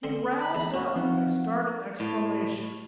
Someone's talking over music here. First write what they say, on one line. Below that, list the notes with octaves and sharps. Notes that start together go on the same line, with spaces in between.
He roused up with a startled exclamation.
D3 C4
B5
E2
E2 A#2 F#4
F3 C4 D#4 F5 F#5
A2